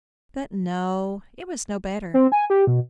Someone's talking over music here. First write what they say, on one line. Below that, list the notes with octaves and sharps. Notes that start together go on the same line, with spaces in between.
But no; it was no better.
C4
G#5
G4
B2